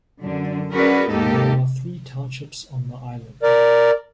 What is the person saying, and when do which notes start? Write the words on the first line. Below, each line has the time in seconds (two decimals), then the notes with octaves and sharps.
There are three townships on the island.
0.21 F#2 D3 D4
0.73 C#4 F#4 G#4 A#4 B4 D5
1.10 D#2 G#2 A#3 D#4 G4 A4
3.43 A#4 D5